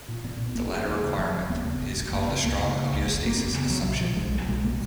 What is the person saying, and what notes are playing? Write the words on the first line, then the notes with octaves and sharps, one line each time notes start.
The latter requirement is called the strong homeostasis assumption.
A#2
A#2 B3
B1
F1 A#3
F1
D#2
C#3
F1 F#3
F1 F3
D#2 B3
C#3 A#3
G#1
G#1
F#2 A#3
A#3
C#3 B3
C#2 A#3
C#3
C#3
C#2
F#1
F#1 A#3
F2 B3
C#3
B1 F#3
B2
B2 F3
B1 G#3
B1 F#3
B2 G#3
B2 A#3